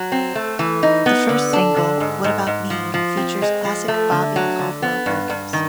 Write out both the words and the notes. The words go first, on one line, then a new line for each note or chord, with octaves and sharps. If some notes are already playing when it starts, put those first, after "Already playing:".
The first single, "What About Me" features classic Bobby Caldwell vocals.
Already playing: F#3
C4
A3
E3
D#4
B3
D3
D4
D3
G#2
G#2
G#2
F3
F3
C4
G#3
F3
A3
D3
F#3
D3
B3
G2
G2
D#3